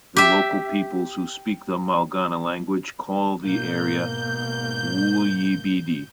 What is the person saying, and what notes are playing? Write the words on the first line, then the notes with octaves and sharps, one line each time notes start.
The local peoples who speak the Malgana language call the area "Wulyibidi".
G4 E5
G#2 B2 A#3 G6